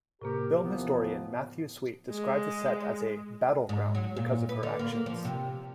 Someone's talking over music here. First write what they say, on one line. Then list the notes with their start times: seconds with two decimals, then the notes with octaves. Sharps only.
Film historian Matthew Sweet described the set as a "battleground" because of her actions.
0.22 A2 C3 A#3 G4 A#4
0.61 D#2 E3 F3 B3
2.12 G#3
3.69 G#2
3.95 F#3
4.16 A#2
4.49 B4
4.63 D3
4.79 A#3
4.92 A#3
5.06 F3
5.25 C3